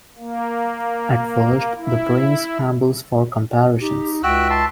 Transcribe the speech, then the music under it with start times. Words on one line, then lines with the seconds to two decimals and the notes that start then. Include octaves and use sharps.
At worst, the brain scrabbles for comparisons.
0.18 A#3
1.77 E4
3.80 D#4 G4
4.23 C#2 F#4 E5 G5 E6 F#6
4.50 A5 C6